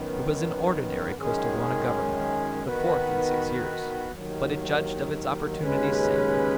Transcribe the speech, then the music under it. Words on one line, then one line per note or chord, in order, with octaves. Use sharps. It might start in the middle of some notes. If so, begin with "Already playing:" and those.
It was an ordinary Costaguana Government--the fourth in six years--but it judged of its opportunities sanely.
Already playing: F#2 D#3 B3
F#2 D#3 G#3 C#4 G#4
D#3 B3 F#4 B4
D#2 D#3 F#3
D#2 C#3 G#3 C#4 B4